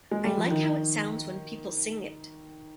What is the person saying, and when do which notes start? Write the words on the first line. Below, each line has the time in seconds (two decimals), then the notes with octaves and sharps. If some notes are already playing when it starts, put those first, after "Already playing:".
I like how it sounds when people sing it.
0.11 G#3
0.24 G3
0.37 F3
0.51 D#3